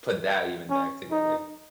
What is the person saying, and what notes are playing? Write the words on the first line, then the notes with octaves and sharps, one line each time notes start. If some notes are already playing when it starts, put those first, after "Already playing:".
put that even back together.
C#4
D#4